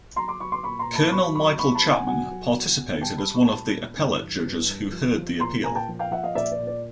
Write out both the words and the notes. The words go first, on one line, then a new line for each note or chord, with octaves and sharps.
Colonel Michael Chapman participated as one of the appellate judges who heard the appeal.
F#3 A#5 C6
C6 D6
F#3 B5 C#6
C6 D6
A#2 B5 C#6
A#5 C6
A#2
A5 B5
F#3 B5 C#6
F#3 B5 C#6
B2 B5 C#6
A5 B5
B2
F#5 G#5
F#3 F#5 G#5
F#3
B2
B2
G3 G5 A5
A5 B5
G3
B5 C#6
A#2 A5 B5
A#2
G2
E3
G2
G3
F3
F3
A#2 A#5 C6
A#2 G#5 A#5
G5 A5
F3
F5 G5
F3 E5 F#5
D#5 F5
A#2 D5 E5
D5
A#2
D5